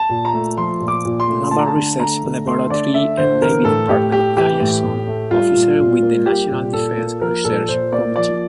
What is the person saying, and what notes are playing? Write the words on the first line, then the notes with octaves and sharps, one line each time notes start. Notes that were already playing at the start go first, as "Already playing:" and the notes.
Naval Research Laboratory and Navy Department Liaison Officer with the National Defense Research Committee.
Already playing: A5
A#2
A#5
A3
F3 C6
A#2
D6
A#2
C6
A3
A3 A5
A#5
A5
D3
A3 A#5
D3
A3 C6
D3 D5
A3 E5
D3 C5
E3 A#4
A2 A4
A2 G4
A3 G4
E3 G4
A2
A2
A3
G3 F4
A#2
A#2
A#3
G3 G4
A#2
A#2 A4
A#3
F3 A#4
A#2 A4
A#2 C5
A#3 D5
F3 D5